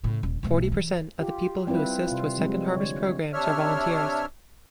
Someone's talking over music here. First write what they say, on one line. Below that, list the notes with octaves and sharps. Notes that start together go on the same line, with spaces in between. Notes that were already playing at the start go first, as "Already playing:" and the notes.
Forty percent of the people who assist with Second Harvest programs are volunteers.
A2 C#3
D#1
B1 A3
E3
F4 G4
G3 C4 E4 F4 B4
C3 F4
F3 G3 G#3 C4
D3 C#5
C3 D4 C#5 E5 F6